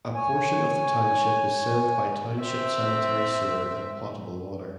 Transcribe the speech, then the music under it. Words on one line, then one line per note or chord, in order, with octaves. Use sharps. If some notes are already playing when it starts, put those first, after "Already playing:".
A portion of the township is served by township sanitary sewer and potable water.
C#5 G#5
C4 E5